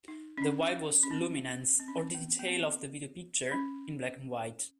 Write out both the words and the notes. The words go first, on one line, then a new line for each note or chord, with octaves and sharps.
The "Y" was luminance, or the detail of the video picture, in black-and-white.
D#4
C#4
D4
C#4
C4
C4
C#4
C4
B3
B3
C4
C#4